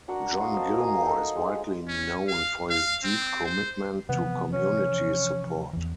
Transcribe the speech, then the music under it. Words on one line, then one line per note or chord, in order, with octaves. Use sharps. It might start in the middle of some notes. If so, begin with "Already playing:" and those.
John Gilmore is widely known for his deep commitment to community support.
D4 F#4 A#4 F#5
F#4 F5 C6 D#6
A#4 C5 D#5 A5
A#4 F5 G#5 A#5
D#4 A4
G#3
C#4
F5
F5
C4
C5
C3 E3 F3 B3
C#4
E2 E3